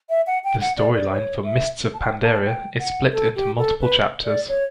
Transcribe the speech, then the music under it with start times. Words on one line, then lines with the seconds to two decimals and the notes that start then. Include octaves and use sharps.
The storyline for "Mists of Pandaria" is split into multiple chapters.
0.10 E5
0.27 F#5
0.44 G5
0.61 F#5
0.77 D5
0.95 D5
1.11 C#5
1.45 E5
1.94 A5
2.01 G5
2.23 A5
2.46 G5
2.79 F#5
3.13 A4
3.36 G4
3.58 A4
3.81 B4
4.25 D5
4.48 C#5